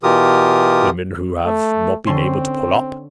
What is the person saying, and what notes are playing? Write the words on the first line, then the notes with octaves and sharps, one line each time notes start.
"The women who have--not been able to pull up?"
B2 E3 F4 G4 A#4 D#6
A3
D3 C4 C#4 C6